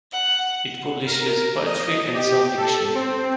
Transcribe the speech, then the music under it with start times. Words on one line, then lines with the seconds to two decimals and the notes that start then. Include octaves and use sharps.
It publishes poetry and some fiction.
0.13 F#5
1.07 A#4
1.65 D#5
2.14 G4
2.57 A4
2.95 C4